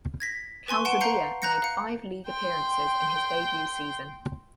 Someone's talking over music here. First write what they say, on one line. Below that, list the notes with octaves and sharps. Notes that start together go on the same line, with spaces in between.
Calzadilla made five league appearances in his debut season.
G#6 A#6 B6
B4 G#5 C6 C#6
F#5 A5 C6 D7 E7
F5 A#5 G6 C7 C#7 G7
A#5 F#6 G6 A#6 C#7
F5 C#7
G5 C6